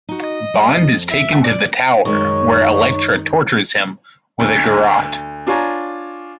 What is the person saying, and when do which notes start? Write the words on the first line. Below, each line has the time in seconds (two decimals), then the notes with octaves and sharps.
Bond is taken to the tower, where Elektra tortures him with a garrote.
0.09 D#4 F#4
0.22 D#5
0.54 G3 F#5
0.76 F2
1.11 E5
1.45 D5
2.05 F#2 D#3 G#3 D#4 C#5 C#6
4.40 D2
5.47 D4 F4 C#5 G#5 A#5